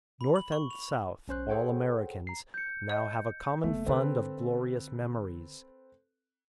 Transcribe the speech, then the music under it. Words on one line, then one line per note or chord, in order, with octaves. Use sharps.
North and South, all Americans, now have a common fund of glorious memories.
B5
F#7
C#6
F7
B1 C#4 C5 F#6
G#4 A4 C5 C#5 F#5 G5
A#5 C7
G6 C#7
D#5
F#1 A3 B3
D3 C4 D4 A4 B4